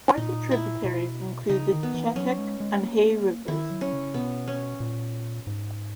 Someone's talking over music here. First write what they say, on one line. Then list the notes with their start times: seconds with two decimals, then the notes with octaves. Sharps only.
Important tributaries include the Chetek and Hay Rivers.
0.17 A#2 D#4
0.51 E4
0.84 B2
1.49 C#3 D#4
1.72 D#3
1.83 B3
1.94 E3
2.16 F#3 C#4
2.38 G#3
2.60 G#3
2.83 A#3
3.48 D#3 E4
3.70 F#3
3.81 C#4
3.93 C#3
4.14 B2 B3
4.48 C#4
4.80 A#2
5.47 G#2